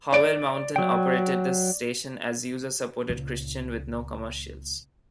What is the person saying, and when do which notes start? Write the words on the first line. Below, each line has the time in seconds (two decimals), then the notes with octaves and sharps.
Howell Mountain operated the station as "user supported Christian" with no commercials.
0.13 D5 D7
0.76 F#3 G5
3.09 C#2 A#2